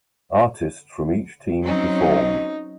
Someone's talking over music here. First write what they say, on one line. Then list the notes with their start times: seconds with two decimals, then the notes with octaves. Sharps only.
Artists from each team performed.
1.66 F#3 C4 C#4 D#4